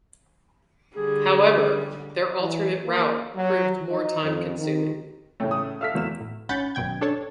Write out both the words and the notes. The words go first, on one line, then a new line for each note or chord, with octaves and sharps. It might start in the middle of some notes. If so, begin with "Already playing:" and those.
However, their alternate route proved more time-consuming.
D3 G3 G#4
E3
A#3
F#3
D#4
F2
D#3
E1 A2 C#3 A3 C#5 G5
D#6
A4 E5 F5 E6 F6 B6
F#1 E2 F#4 E7
A2
G#1 C#4 F#5 B5 G6 A6
G#1 F#2 B2 G5 G#6
D4 A4 C#5 A5